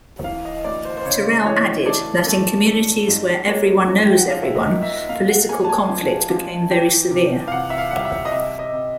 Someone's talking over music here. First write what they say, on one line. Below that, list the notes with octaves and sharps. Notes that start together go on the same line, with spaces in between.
Terrell added that in communities "where everyone knows everyone" political conflict became very severe.
E3 F5
D#5
D2 D5
C5
C5
C#3 C#5
E3 C#5
A3 D5
A3
A3
G#2
A#3 C#5
F3
G5
F#5
F3 F5
E5
D#5
A#3
E5
A#2 F5
F#5
A#3 G#5
A5
G#5
F3
F3
E3 G5
C3
F5
C3 F#5
E5
F5
G3 F#5
F5
E5
D#5
C3 E5
D#5
C3